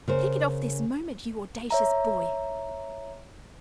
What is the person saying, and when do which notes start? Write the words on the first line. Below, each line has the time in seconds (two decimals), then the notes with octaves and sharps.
'Take it off this moment, you audacious boy!
0.08 C#3 A#4 C5
1.71 C#5 E5 A#5